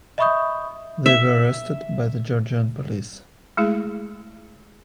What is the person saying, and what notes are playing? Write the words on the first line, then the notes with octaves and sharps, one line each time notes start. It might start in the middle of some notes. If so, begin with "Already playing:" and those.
They were arrested by the Georgian police.
D#5 E5 B5 C#6 D#6 G6
E5
G#3 A3 E4 G#4